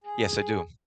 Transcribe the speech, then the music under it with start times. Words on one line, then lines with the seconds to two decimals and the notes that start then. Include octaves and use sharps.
Yes, I do.
0.04 G#4